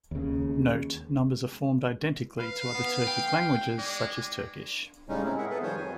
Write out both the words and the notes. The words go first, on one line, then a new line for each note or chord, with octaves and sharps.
Note: Numbers are formed identically to other Turkic languages, such as Turkish.
D#2 C#3
B4 F5
B3
G5
G#3 D5
A2 C#3 G3 G#3 C#4 D#4
C4 E4
G#4 A#4 E5 F#5
B3 G#4 A4 B4
D#3 F3 G3 F4 C5 C#5
F2 G#5